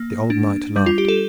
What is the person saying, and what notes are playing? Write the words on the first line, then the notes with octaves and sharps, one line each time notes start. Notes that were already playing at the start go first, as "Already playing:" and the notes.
The old knight laughed.
Already playing: A#3
D4
G3
F4
G4
A4